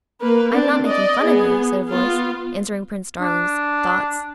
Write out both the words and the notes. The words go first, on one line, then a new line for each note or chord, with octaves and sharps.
"I am not making fun of you," said a voice, answering Prince Darling's thoughts.
A#3 B4
C4 D4
D5 D#5
B3 G#4
B3 F4
D4